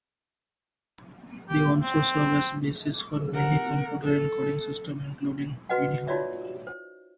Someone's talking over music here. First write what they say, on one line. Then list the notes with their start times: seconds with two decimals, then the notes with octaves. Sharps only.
They also serve as the basis for many computer encoding systems, including Unihan.
1.49 G4
1.83 C4
3.34 A#4 F#5
4.02 A4
5.69 F#4 B4 D#5 F#5
6.07 D#4 F4 F#4 C#5 D5 E5
6.67 C5